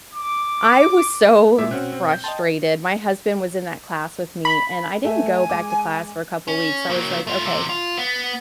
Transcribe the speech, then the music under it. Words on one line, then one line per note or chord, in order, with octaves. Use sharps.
I was so frustrated. My husband was in that class with me, and I didn't go back to class for a couple of weeks. I was like, "Okay,"
D6
A#2 G#3 A#3 E4 E5 D6
B2 C4 C#4 F#4 F#6
C4
G6
D#5 G5 A5 C6
B5
A3 E5 G#5
G#3 D6
C#4
F#3 A#3
A3 F4
C3 E3
F4
B3